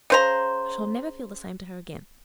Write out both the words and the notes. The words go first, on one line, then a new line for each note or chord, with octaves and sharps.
I shall never feel the same to her again.
C#3 C5 A#5